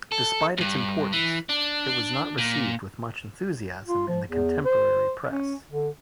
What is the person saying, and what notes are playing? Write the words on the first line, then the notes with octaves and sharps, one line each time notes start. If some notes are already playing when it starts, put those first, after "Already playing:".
Despite its importance, it was not received with much enthusiasm in the contemporary press.
A4
E2 G2
E3
D4
A#2
F4
F3
E2
C5
C#4
D3